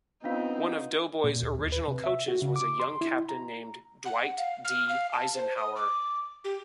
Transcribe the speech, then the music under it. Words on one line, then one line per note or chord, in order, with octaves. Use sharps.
One of the Doughboys' original coaches was a young captain named Dwight D. Eisenhower.
B3 C4 D4 D#4 F4 F5
A#2
D2
D#2
B4
C3
E5
F#4
C#3
D6
C6
E4
A#5
F#5
F5
F6
F5
A5
C5
D#6
D6
G4